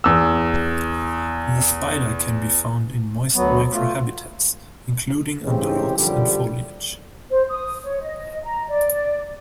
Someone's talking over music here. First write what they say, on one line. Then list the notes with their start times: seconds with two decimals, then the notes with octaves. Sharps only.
The spider can be found in moist microhabitats, including under logs and foliage.
0.04 E2 E6
3.35 D2 F#3 B3
3.73 A3 F4
5.42 A2 C#3 E3 G#3 C4 G4
5.96 A#1 F#2 D3 F3 G3 G4
7.31 C5
7.50 D#6
7.84 C#5
8.01 D#5
8.43 A#5
8.69 D5